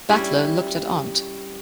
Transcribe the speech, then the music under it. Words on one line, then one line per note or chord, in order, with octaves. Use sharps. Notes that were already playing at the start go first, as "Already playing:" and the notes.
Butler looked at aunt.
G3 C#4 E4